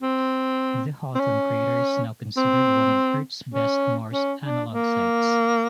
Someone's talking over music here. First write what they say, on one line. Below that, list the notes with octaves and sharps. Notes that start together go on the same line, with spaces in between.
The Haughton crater is now considered one of Earth's best Mars analog sites.
C4
C4
C#4
C4
C#4
C#4
D4
A#3